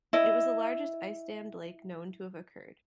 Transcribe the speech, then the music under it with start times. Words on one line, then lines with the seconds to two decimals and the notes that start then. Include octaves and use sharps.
It was the largest ice-dammed lake known to have occurred.
0.13 E4 D#5